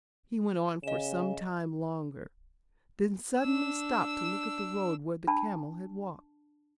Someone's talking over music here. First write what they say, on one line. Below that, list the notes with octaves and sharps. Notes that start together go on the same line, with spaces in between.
He went on for some time longer, then suddenly stopped to look at the road where the camel had walked.
C#3 D#5 E7
D4 E6
D4 A5 B5